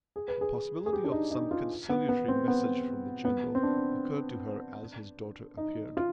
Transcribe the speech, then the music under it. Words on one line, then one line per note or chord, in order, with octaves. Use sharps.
The possibility of some conciliatory message from the general occurred to her as his daughter appeared.
G#4
B4
G#4
G#4
G4
D4
D#4
D#4
F4
B3
B3
C4
B3
B3
C4
D4
D#4
F4